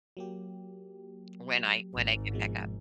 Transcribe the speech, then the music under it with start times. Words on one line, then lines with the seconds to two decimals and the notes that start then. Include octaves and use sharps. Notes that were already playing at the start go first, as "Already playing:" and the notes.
when I when I get back up.
0.17 F#3 A#3 G4
1.94 G#1 G#2
2.32 B2 F3 G#3